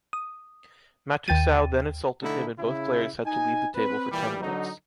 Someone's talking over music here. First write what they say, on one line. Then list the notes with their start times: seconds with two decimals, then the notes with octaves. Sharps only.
Matusow then insulted him and both players had to leave the table for ten minutes.
0.13 D#6
1.28 D#2 G5 A6 D#7
2.22 D3 A3 D#4 E4 A4
2.58 C#3 E4
3.26 D#4 G#5
3.75 C4 B4
4.11 A#2 E3 G3
4.40 D3 F#3 D#4